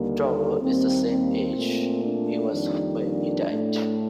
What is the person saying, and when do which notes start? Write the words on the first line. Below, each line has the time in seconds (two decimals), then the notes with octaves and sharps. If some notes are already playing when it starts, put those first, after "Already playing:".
Toro is the same age he was when he died.
Already playing: D#2 D3 G3 A#3
0.13 A4
0.60 D#2 D#3 G3 A#3 C4
1.09 C4
1.55 A#2 A3
2.03 D4
2.51 F2 D#3 G3 A#3
2.98 D4
3.46 A2 A3